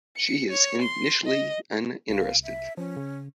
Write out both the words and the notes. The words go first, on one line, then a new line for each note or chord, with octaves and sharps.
She is initially uninterested.
C#7
C#5
C6
D#5
C2 F5
E5
F3 C#4
C#3